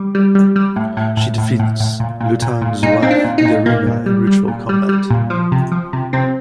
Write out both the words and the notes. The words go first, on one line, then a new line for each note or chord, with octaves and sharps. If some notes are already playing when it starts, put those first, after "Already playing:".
She defeats Lutan's wife Yareena in ritual combat.
Already playing: G3
G3
G3
G3
A2
A2
A2
A2
A2
A2
A#2
A#2
A#2
A#2
A#2 D#4
A#2 C4
D4
A#2
D#4
A#2
A#2 A#3
A#2
G3
G3
A#2
G3
G3
A#2
F3
C3
F3
C3
C3 C4